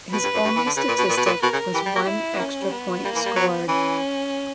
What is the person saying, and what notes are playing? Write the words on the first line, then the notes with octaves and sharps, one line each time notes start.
His only statistic was one extra point scored.
B2 B4
G2
F#2
G2
E3
D3
C#3 B4
A#2
B2
A#2
B2
A#2
B2 A#4
C#3
E3 G4
G3
A#3
E4
B3
A#3 C#4
G3
B3
G3 A#3
E3
G3
F#3 B3
E3 C#4